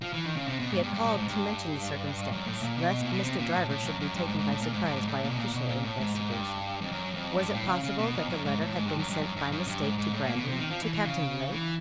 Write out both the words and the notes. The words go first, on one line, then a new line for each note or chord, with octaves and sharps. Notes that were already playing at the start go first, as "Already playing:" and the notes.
He had called to mention the circumstance, lest Mr. Driver should be taken by surprise by official investigation. Was it possible that the letter had been sent by mistake to Brandon--to Captain Lake?
F3
E3
D#3
C#3
C3
B2
G#2
G2
G2
A2
G#2
G2
F#2
A2
A#2
B2
A#2
B2
C3
A#2
A2
A2
F#2
F#2
G2
G#2
G#2
A2
A#2
G#2
G2
G#2
A2
A#2
B2
A#2
B2
A#2
A2
G#2
G#2
G2
F2
F#2
F2
G2
A2
C#3
C#3
B2
F2
F#2
G#2
A2
G#2
G2
F#2
G2
F#2
F#2
F#2
G2
G#2
G#2
A2
A#2
B2
C3
D#3
F3
E3
E3
C#3
E3